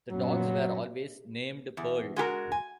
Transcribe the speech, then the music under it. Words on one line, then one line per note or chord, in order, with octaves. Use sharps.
The dogs were always named Pearl.
F#2 A#2 F#3 B3
E2
G#3 F#4 G4 A#4
G#5